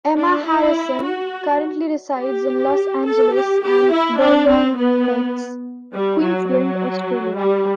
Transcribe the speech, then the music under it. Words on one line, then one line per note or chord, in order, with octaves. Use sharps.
Emma Harrison currently resides in Los Angeles and Burleigh Heads, Queensland, Australia.
D4
E4
F#4
G4
A4
G4
G4
E4
D4
C4
B3
G3
F#3
F#3
G3